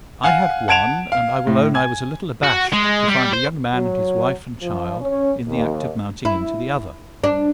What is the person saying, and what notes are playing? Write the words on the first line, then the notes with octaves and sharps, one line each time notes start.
I had one; and I will own I was a little abashed to find a young man and his wife and child in the act of mounting into the other.
F5 F#5 G#5
F#5 A5 G#6 D7 E7 F7
F5
A2
G#5 G#6
F#4
G#3
G3
C5
F#3
F3
C#4
D#2
E4
D4